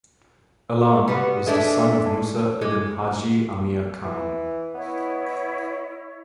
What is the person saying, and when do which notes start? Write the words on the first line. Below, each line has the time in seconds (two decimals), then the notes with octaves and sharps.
Alam was the son of Musa ibn Haji Amir Khan.
1.08 G3 B3 F#4 B4 B5 C6
1.46 G#3 A3 D4
2.06 D5 G#5 A5
2.61 G#3 G#4 D6
4.04 E3
4.75 B3 E4 C#5 D#5